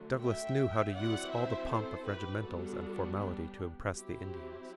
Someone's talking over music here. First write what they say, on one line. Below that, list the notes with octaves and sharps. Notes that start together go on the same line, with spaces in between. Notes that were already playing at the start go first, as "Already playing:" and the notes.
Douglas knew how to use all the pomp of regimentals and formality to impress the Indians.
Already playing: D3 F#3 A3
E5 G5
F#3 C4 E4 D5 F#5
C5 E5
A4 C5
G4 B4
G3 B3 D4 F#4 A4
G4
F#3 C4 E4 G4